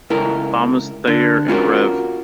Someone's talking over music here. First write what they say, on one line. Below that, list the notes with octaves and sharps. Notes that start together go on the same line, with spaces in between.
Thomas Thayer and Rev.
C#2 E4 A4 A#4
D3
C#4 F4 F#4 A#4